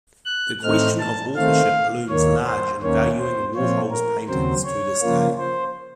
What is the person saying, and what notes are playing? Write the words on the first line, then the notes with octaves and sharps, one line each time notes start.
The question of authorship looms large in valuing Warhol's paintings to this day.
F#6
A2 A3 C4 D#4 F6
A5
D#3 A3 C4 F5
D#2 D#3 A#3 C#5
C5
D#2 D#3 A#3 C#4 C#5
C5
A#2 F3 C4 F4 C#5
A#4
D#2 C#3 F#3 C4 C5
C#5
C#3 F3 A#3 F4
C5